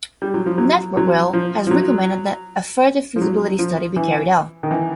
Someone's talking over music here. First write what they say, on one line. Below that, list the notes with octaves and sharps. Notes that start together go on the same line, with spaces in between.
Network Rail has recommended that a further feasibility study be carried out.
G3
F#3
F3
F#3
F#3
F3
F3
F#3
F3
F#3
F3
E3
D#3
E3